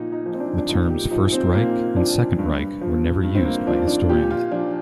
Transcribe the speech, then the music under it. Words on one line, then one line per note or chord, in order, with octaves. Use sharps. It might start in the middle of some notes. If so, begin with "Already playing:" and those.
The terms "First Reich" and "Second Reich" were never used by historians.
Already playing: A#2 F3 D#4
D#4
F3
C4
D4
D4
A#2 D#4
G4
F3 D#4
C4
A#2 A#3
F3 D4
G2
F3
G2
C4
A#3
F3 D4
D4
A#2 G4
F4
F3 D4